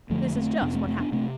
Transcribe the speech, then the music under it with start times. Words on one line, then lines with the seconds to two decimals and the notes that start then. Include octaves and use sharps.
This is just what happened.
0.10 F2 D3 F3 A3
0.35 A3 C4
0.61 F2 C3 B3 D4
0.74 A3 C4
0.87 A3 C4
0.99 B3 D4
1.12 C3 A3 C4